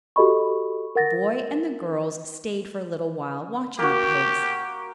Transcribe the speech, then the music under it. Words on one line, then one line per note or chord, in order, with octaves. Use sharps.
The boy and the girls stayed for a little while, watching the pigs.
F#4 G4 A4 D#5 B5 C#6
A#4 F#5 A6 A#6
A#3 F#4 G4